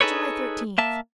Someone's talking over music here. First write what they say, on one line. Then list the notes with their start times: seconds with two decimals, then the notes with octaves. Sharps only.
July Thirteenth.
0.01 D#4 G#4 A4 B4 C#5
0.78 A#3 E5 A5